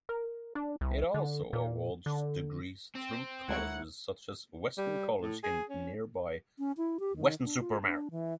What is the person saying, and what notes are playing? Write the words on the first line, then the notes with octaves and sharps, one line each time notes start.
It also awards degrees through colleges such as Weston College in nearby Weston-super-Mare.
A#4
D4
C2
D3
A#2
D3
C4
D2 G#3 E4 A#4 C#5 F#5
G3
A2
G#4
C#4
C#4
E4
G4
D#3
D4
F4
D4
E3